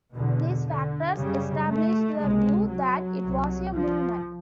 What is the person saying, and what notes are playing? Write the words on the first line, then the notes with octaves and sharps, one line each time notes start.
These factors established the view that it was a "movement".
E2 B2 D3
D3
F#2 C#3 G3
A3
C#2 C3 G#3
F#3
C2 C3
F3